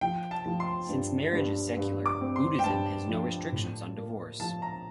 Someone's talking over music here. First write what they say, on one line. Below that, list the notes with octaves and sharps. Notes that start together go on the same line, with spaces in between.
Since marriage is secular, Buddhism has no restrictions on divorce.
F3 G5
A5
F3
C6
G2
G2
G2
D6
C4
C6
G5
G2 A5
F3
A2
A#3
F3 A5
A#5